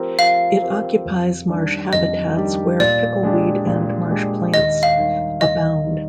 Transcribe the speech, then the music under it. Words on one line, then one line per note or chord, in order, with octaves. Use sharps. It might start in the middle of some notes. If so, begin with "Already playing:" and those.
It occupies marsh habitats where pickleweed and marsh plants abound.
Already playing: F3 C4 G4 A#4
F3 F5
C4 G4 A#4
F2
D#3 G3 D4 G4
F2 D#5
D#3 G3 D4 G4
A#2 D5
G#3 D4 G4
A#2
G#3 D4 G4
D#2 D#5
F5
D#3 G3
D#2 D#5
D#3 G3